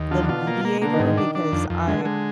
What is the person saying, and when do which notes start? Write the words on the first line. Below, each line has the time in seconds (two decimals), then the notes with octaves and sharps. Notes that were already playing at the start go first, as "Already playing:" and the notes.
the mediator, because I
Already playing: D#2 D#3 D#4
0.11 D3 D4 F4
0.23 D4
0.29 B2 B3 F4
0.47 A#3
0.65 A#3
0.82 D3 A#3 D4
0.93 D#3 D#4
0.99 G#2
1.05 D#3 D#4
1.18 D4
1.35 D4
1.52 F2
1.70 F2
1.87 D3 G#3 D4
1.99 D3 D4
2.05 G#3